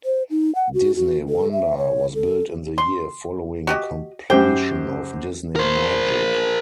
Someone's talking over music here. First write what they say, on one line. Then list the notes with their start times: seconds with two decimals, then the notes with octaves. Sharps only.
"Disney Wonder" was built in the year following completion of "Disney Magic".
0.05 C5
0.30 D#4
0.55 F#5
0.74 F#4
0.96 F#4
1.29 A4
1.52 E5
1.77 C#5
2.15 A4
2.78 C6
3.67 F#4 G4 D#5
4.30 F#2 G4 C5 G5
5.56 A#4 C5